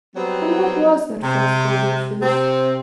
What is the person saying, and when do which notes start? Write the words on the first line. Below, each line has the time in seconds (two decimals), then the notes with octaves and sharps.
And what was that first Golden Fleece?
0.15 F#3 G3 B3 C4
1.22 C3
2.21 C3 C4